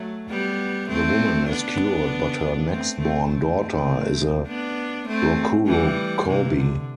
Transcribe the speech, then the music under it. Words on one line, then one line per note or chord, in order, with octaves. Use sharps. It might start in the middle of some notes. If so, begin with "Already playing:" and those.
The woman is cured but her next born daughter is a rokurokobi.
Already playing: F#3 A3
G3 B3
A3 C4
B3 D4
A3 C4
A3 C4
A3 C4
B3 D4
A3 C4
E3 G3
C3 E3
D3